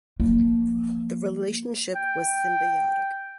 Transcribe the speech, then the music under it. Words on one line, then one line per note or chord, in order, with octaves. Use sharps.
The relationship was symbiotic.
F3 A#3
G5